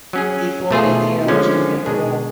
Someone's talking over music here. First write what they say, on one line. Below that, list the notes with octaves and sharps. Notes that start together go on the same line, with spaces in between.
He fought in the Algerian War.
F#3 C#4 G#4
B2 A3 F4 G#4
D3 F3 G#3 C#4
B2 G#3 D4 G#4